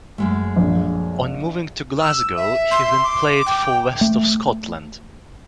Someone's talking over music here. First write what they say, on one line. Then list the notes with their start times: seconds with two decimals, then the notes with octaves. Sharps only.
On moving to Glasgow he then played for West of Scotland.
0.18 F#2 G#3 A3
0.57 A#1
2.01 E6
2.37 E5
2.71 C6
3.04 D6
3.46 G5
4.01 A3